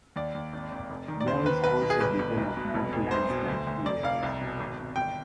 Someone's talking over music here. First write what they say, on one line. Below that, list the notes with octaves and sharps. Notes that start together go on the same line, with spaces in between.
Males also develop more glands than females.
D#2 D5
D#2
G#1
G#1
F1
D#3
D5
D#2 C5
D#3 B4
B1 B4
B2
G#4
G1 B4
G1
B1
B2
F1
F1
C2 C5
B2
D2
D2
F1 D5
F1 F5
C2
B2
G#1
G#1
G1 G5